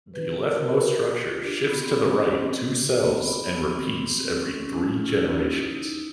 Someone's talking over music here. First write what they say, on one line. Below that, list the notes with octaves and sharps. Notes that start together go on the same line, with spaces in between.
The leftmost structure shifts to the right two cells and repeats every three generations.
B4
B4
A#4
F#4
G4
F4
D4
B3
C4
C#4
C4
A#3
B3
B3
C4
C#4
C#4
F4
E4
D#4
D#4
D#4
E4